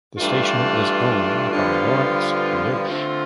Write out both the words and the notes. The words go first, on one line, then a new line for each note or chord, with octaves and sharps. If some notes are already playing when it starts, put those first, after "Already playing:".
The station is owned by Lawrence Loesch.
G2 E3 A3 D4 F4
G2 D3 F3 B3 F4
D3 A3 C4 F4